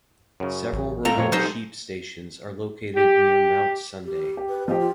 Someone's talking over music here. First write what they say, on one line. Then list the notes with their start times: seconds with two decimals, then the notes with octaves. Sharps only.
Several remote sheep stations are located near Mount Sunday.
0.40 F#2 C#3
0.73 A1
1.05 G2 A3 C4 F4 A4 G5 A#5
1.18 F2 A#2 C#5
1.32 B2 F#3 G#3 D#4 G4 A4 C5
2.96 G4
4.05 G4
4.37 G4
4.49 B4
4.68 F3 G4 D#5
4.80 F4